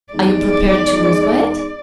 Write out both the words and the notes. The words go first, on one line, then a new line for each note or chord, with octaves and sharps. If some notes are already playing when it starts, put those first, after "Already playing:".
"Are you prepared to lose by it?"
E2 G#3 D#4 D5